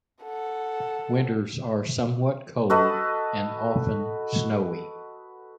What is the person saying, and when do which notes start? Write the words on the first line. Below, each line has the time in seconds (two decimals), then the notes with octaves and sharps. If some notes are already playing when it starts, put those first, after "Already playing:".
Winters are somewhat cold and often snowy.
0.24 A4 F#5
2.70 F#4 A4 B4 D#5